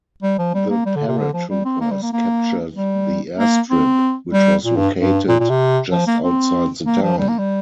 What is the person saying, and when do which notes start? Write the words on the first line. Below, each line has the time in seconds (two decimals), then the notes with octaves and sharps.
The paratroopers captured the airstrip, which was located just outside the town.
0.23 G3
0.38 F3
0.54 G3
0.70 A#3
0.86 G3
0.96 D3
1.08 C3
1.18 D3
1.34 F3
1.50 G3
1.65 C4
1.80 A#3
1.91 G3
2.02 A#3
2.13 A#3
2.75 G3
3.39 A#3
3.70 C4
4.33 G3
4.65 A#2
4.77 G2
5.01 G2
5.29 A#2
5.40 A#2
5.50 C3
5.92 F3
6.07 A#3
6.24 C4
6.86 A#3
7.02 F3
7.18 G3
7.28 A#3
7.38 G3